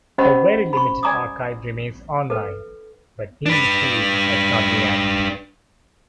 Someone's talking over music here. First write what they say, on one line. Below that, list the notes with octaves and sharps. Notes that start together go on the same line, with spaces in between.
A very limited archive remains online, but new material has not been added.
C#4 G4 C5 D#5 F#5 B5
B5 C#6
D5 G#5 A#5 D6 D#6
A4 B4
D4 B4